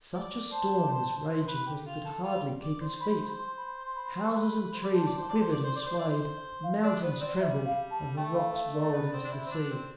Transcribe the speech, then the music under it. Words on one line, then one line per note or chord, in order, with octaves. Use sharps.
Such a storm was raging that he could hardly keep his feet; houses and trees quivered and swayed, mountains trembled, and the rocks rolled into the sea.
D5
C5 A5
D5
C5
C5
B4
G4
F4
A4
F4
D5
C5
B5
B5
C6
B5
C6
B5
C6
A4
B4 C6
B5
C5 B5
D5
C5 A5
D5
C5
D5
C5
D5
C5
D5
C5
D5
C5
F5
D4 D5
B3 C5
C4 D5
G3 E5
F5
A5
A3 G5
F5
F5
D5
B3
C4
D4
E4
C4
D4
C4